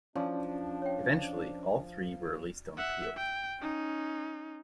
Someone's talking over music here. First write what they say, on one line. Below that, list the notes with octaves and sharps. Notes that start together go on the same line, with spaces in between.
Eventually, all three were released on appeal.
F3 C#4 D4 D5
C#5 G5
E5 F#5
G5
C#4 D#4